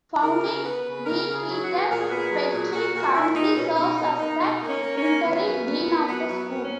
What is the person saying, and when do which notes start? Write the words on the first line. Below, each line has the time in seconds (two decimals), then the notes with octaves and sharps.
Founding dean Peter Petri currently serves as the interim dean of the school.
0.22 C#3 A#4
0.43 C#3
0.64 B3 B4
0.85 C#3
1.05 C#3 A#4
1.27 C#3
1.34 G#4
1.48 F#3
1.62 F#4
1.68 E2
1.90 A#2 A#4
1.98 G#4
2.08 B3 F#4
2.16 G#4
2.31 F#3
2.52 A#2
2.72 A#2 F#4
2.94 A#2 F#4
3.14 A#2 E4
3.35 A#2 D#4
3.56 B2 C#4
3.77 B2 D#4
3.98 B2 D#4
4.19 A#3 D#4
4.39 B2 D#4
4.61 A#3
4.68 C#4
4.82 A#3
4.95 C#4
5.03 A#3
5.23 D#3 B3
5.44 F#2
5.65 F#2
5.86 A#3
6.06 F#2 B3
6.28 F#3
6.34 B3
6.48 F#2
6.62 C#4